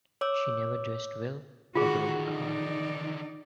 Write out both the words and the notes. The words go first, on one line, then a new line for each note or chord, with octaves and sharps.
She never dressed well or drove a car.
C#5 D6 E6
D3 D#3 F4 F#4 G#4
D#4 D5